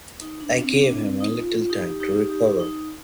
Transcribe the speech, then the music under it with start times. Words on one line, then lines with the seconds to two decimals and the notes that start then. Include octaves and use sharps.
I gave him a little time to recover.
0.21 D#4
0.41 D4
0.61 C4
0.81 D4
1.00 C4
1.20 D#4
1.40 F4
1.70 D#4 G4
2.00 D#4 G4
2.30 D#4 G4
2.60 D#4